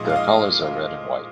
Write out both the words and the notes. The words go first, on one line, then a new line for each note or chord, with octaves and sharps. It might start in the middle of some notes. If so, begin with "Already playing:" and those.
Their colors are red and white.
Already playing: A#2 F3 G#3 D#4 D#5
F5
D#5